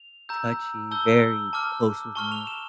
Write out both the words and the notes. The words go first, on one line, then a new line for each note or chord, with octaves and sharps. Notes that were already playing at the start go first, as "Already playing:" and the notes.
touchy, very close with me,
Already playing: F7
A#5 E6 G6
A5 E6 G6 G7
A5 D6 F6
A5 C#6 F6 G7
F7
E7